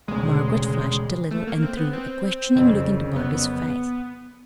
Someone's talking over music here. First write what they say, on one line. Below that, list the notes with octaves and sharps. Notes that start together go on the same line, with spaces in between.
Margaret flushed a little and threw a questioning look into Bobby's face.
E1 D2 C#3 G#3
A3
A#3
C4
B3
C4
F#1 F2 C#3
B3